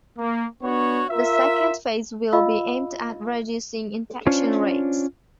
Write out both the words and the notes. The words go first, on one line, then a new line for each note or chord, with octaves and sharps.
The second phase will be aimed at reducing infection rates.
A#3
B3 D4 F#4 C#5
F4 A#4 E5
F4 D#5 F5 B5 E6
C#4 D4 F4 C5 C#5